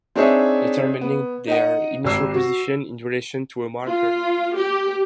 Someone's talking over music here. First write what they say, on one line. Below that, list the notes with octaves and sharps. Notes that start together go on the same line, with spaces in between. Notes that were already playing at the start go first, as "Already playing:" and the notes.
Determining their initial position in relation to a marker.
C4 D4 D#4 G#4 C#5 E5
B3
D#4 D#5 F#5
G#1 G4 E6 C7
F#4
F4
G4